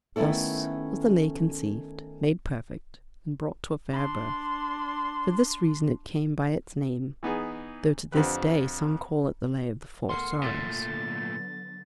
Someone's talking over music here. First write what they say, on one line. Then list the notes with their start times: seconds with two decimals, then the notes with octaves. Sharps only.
Thus was the Lay conceived, made perfect, and brought to a fair birth. For this reason it came by its name; though to this day some call it the Lay of the Four Sorrows.
0.16 D#3 A3 B3 C#4 E4 A4
3.92 D4 C6
7.23 E3 B3 D#4 G#4
8.12 F2 D3 C4 G4 B4
10.09 E2 A3 A#4 F#5 C6 C7
10.43 A#2 D3 A3 A6
10.86 D3 F#3 B3